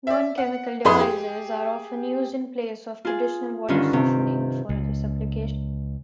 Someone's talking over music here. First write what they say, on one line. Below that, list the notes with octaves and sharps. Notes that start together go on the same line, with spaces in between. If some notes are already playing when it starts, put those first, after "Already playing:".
Non-chemical devices are often used in place of traditional water softening for this application.
D5 E5
F#5
F2 E4 G#4 B4 C6 D#6
G4 G#4
F4 G#4
G2 D3 D#3 C#4 F4
C3
C#2